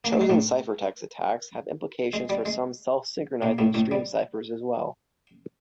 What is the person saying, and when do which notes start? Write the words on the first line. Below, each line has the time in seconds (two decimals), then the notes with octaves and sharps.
Chosen-ciphertext attacks have implications for some self-synchronizing stream ciphers as well.
0.04 A#3
0.13 A3
0.21 G#3
0.29 A2 A3
2.13 G#3
2.29 G3
2.45 G#3
3.42 A#2 A#3
3.58 A2 A3
3.74 A2 A3
3.91 G3